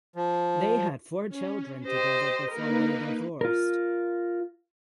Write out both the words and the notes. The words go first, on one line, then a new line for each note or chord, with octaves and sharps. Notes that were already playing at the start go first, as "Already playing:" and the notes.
They had four children together before they divorced.
F3
C#4
G4 C5 D#5
A#3 D#4 A#4 B4
F4 A#4